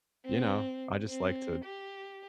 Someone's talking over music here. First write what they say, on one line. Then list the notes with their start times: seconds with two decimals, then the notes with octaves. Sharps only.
you know, I just like to
0.24 C4
1.08 C4
1.64 G4